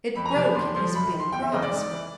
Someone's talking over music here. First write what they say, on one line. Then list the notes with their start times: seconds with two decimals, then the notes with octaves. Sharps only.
It broke in his big grasp.
0.15 F2 B5
0.26 A#5
0.31 G#5
0.35 C3 F3 A5
0.45 B5
0.55 D#2 C6
0.74 D3 F3 C6
0.93 F#2 B5
1.13 D#3
1.20 C6
1.32 E2 G5
1.42 E5
1.52 C#3 E3 D#5
1.62 D5
1.72 G#2
1.91 E3